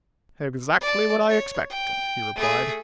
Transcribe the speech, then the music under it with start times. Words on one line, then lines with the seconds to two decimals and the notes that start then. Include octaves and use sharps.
"Exactly what I expected," he replied.
0.81 D5 A5
1.29 C#5
1.70 G5
2.35 A3 G#4